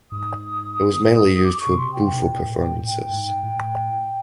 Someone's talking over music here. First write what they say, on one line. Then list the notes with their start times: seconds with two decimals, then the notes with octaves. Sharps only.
It was mainly used for bufo performances.
0.11 G#2 D#6
1.44 D6
1.55 D6
1.60 C#6
1.67 B2
1.77 C3 C6
1.93 G5
2.10 B2 G5
2.26 A#2
2.43 A2
2.60 A#2
2.76 A2
3.09 G#2
3.43 A2